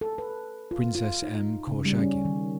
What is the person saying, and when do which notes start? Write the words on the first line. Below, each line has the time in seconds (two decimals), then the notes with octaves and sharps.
Princess M. Korchagin.
0.01 A4
0.18 B4
0.71 F4
0.95 F4
1.22 D#4
1.67 C#3
1.85 G3
1.99 C#4
2.25 D#3